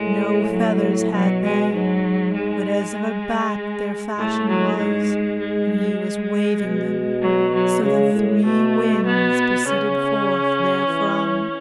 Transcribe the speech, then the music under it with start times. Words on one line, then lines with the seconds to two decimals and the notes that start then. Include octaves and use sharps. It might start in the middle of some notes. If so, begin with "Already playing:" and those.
No feathers had they, but as of a bat Their fashion was; and he was waving them, So that three winds proceeded forth therefrom.
Already playing: A2 G#3
0.50 F#3
1.11 B2 F#3
1.43 G#3
1.72 G#2 F#3
2.34 G#3
4.16 A2 A3
4.47 F#3
4.77 G#2 G#3
5.38 G#3
6.60 B2
7.21 F#3
7.52 F#3
7.82 C#3 G#3
8.13 A2
8.43 B2 A3
9.05 B3
9.65 C#3 C#4
10.87 E3